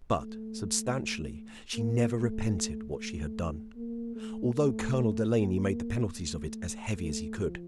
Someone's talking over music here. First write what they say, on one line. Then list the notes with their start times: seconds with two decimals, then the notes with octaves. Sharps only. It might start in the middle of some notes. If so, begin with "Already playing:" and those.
But substantially she never repented what she had done, although Colonel Delaney made the penalties of it as heavy as he could.
0.13 A3
1.74 A#3
2.13 A3
2.94 A3
3.75 A#3
4.15 A3
4.55 A3
5.35 A#3
6.15 A3
6.96 A3
7.37 F3